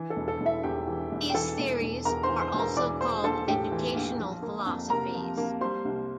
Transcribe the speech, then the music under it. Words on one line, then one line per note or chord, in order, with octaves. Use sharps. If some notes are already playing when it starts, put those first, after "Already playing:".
These theories are also called educational philosophies.
Already playing: E3
A4
E1
A4
E1
E4 E5
E2 G4 G5
E3
E1
G5
E3 A4 A5
E1
E1
E2 A#4 A#5
C5 C6
E3
C5 C6
E1
A#4 A#5
E3 D5 D6
A#1 C5 C6
A#1 A4 A5
A2 G4 G5
E3
A#1
F3
A#3
F2
C3 A#4 A#5
F3
A#3
G3 C5 C6
C2